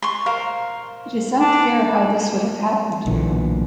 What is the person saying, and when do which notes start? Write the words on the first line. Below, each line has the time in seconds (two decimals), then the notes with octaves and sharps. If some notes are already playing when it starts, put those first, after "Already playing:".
It is unclear how this would have happened.
0.02 C6 C#6
0.26 A#4 C5 F5
1.40 D4
3.07 B1 A#2 D3 E3